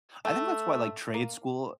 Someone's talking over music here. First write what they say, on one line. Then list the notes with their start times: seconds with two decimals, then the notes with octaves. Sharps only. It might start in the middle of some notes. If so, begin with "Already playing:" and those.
I think that's why, like, trade school
0.25 A3
1.14 A#3